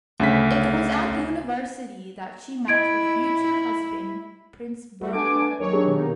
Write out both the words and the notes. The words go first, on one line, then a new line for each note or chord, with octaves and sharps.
It was at university that she met her future husband, Prince Bernhard.
D2 C#3 B6
E4 D#5 G#6 D7
E2 G3 F#4 G4
A3 B3 D4 G#5 D6
D#2 F#3 C#5
D4 G4 G#4
B2 D#3
A#3 D#4